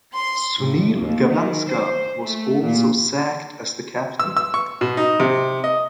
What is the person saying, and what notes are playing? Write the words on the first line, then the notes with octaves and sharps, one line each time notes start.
Sunil Gavaskar was also sacked as the captain.
C6
A2
D#2
D#3
C5
A3
A#2
E6
E6
C#6
B2
D#4
C3
D#5